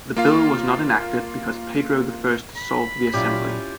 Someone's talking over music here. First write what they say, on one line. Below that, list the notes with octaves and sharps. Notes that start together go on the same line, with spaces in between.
The bill was not enacted because Pedro the First dissolved the Assembly.
A#3 F4 F5
B5
A#2 F#3 C#4 E4 F4 G4